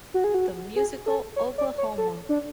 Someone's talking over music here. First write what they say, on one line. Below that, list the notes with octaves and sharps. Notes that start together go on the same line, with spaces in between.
The musical Oklahoma!
F#4
G#4
F#4
G#4
A4
C#5
D5
C#5
A4
D4